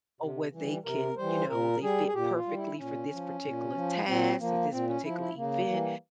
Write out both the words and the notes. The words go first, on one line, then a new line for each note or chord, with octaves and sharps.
or where they can, you know, they fit perfectly for this particular task or this particular event.
C3
E3 G3
C3 A#4
E3 G3 C5
A#2 A#4
G3 G#4
G#4
A#2 G4
F4
G3
E4
A#2 C#4
F3
A#2
F3
A#2 C4
F3 A#3
A#2 C4
C#4
F3 E4
E4
C#3 A#3
E3 G3